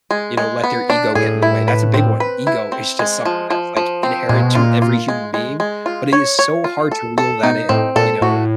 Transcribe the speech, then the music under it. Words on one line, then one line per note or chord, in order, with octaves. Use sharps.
you know, let their ego get in the way. That's a big one. Ego is just something that's, like, inherent to every human being, but, it is so hard to reel that in, you know,
G#3
G#3
B3
D4
A2 G#4
E4
B4
C4
B4
E4
C4
G#3
F3
F3
F3
C4
A#2 G#3
B2
A#2 F4
F4
G#3
G#3
G#3
F4
C#5
C#5
F4
A4
A4
B2 D#4
A2 C4
A#2 A4
A2 F#4